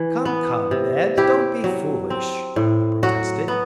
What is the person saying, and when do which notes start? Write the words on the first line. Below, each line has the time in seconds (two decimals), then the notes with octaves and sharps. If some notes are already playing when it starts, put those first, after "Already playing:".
"Come, come, Ned, don't be foolish," he protested.
Already playing: E3
0.25 B3
0.71 C3
1.17 E4 G4
1.64 F#3
2.10 C4
2.56 A2
3.03 F#3 F#4
3.48 B3